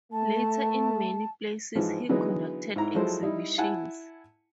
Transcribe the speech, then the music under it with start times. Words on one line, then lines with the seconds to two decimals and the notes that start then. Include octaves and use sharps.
Later in many places he conducted exhibitions.
0.13 A3 A5
1.75 G#2 E3 F3 G#3
2.09 D3 E3 F#3 G#3 B3 D#4
2.76 G#2 E4 A#5
2.95 F3 F#3 G#3 E4 A4 C5
3.22 G3 D#4 E4
3.58 E4 F#5 G#5 A5